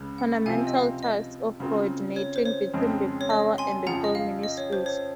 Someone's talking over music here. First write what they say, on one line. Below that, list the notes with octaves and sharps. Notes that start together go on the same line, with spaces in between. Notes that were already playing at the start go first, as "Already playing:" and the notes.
Fundamental task of coordinating between the power and the coal ministries.
Already playing: C#2 C#3
F#5
C3 F3 C4 F5 G#5
D#5
F5
D#5
C#3 F#3 C4 F4 A#4
C#5
C5
C#5
F2 C#3 G#3 C4
C#5
D#5
G#5 C6
F2 C#3 F3 F#5 A#5
D#5
F5
D#5
C#5
C5
C#5